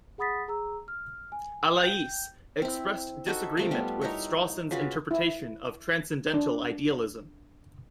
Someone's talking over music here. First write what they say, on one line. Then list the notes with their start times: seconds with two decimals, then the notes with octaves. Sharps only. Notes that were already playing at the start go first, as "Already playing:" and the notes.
Allais expressed disagreement with Strawson's interpretation of transcendental idealism.
0.18 G#4 F#5 B5 D#6 A6 B6
0.48 G#4 A#5 E6
0.88 F6
1.32 G#5
1.78 G5 G6
2.62 C4 E4
3.26 D#4 F#4 A4 E5
3.57 C3 A3 F4
3.71 G3 B3
4.01 D#4 E4 A#4 C#5
4.71 C#3 F4 F#4 B4
5.11 E4
6.34 D4